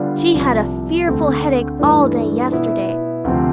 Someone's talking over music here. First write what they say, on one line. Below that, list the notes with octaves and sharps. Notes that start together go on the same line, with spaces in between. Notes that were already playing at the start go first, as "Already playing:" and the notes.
She had a fearful headache all day yesterday.
Already playing: D3 G3 B3 D4 F4
C2 C3 F3
D2 D3 A3 C4
G2 E3 A3 D4
B2 B3 E4
D2 C3 F3 C4